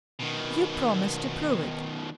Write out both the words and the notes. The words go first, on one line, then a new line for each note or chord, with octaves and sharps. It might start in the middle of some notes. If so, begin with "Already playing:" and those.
You promised to prove it.
B2 D#3